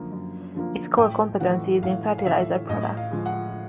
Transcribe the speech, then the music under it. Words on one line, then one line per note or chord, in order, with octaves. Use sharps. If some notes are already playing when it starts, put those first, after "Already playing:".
Its core competency is in fertiliser products.
Already playing: F#2 D3 F3 A#3
F#2
D3 F3 A#3
A2 G5
E3 A3 F#5
A2 F5
F5
E3 A3 E5
A2 D#5
F5
F3 G#3
F#5